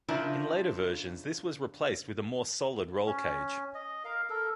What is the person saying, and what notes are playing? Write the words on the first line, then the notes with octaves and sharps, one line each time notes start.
In later versions this was replaced with a more solid roll cage.
C#3 F3 D4 E4 A#4
C#4
D#5
A#4 F5
A4 A#4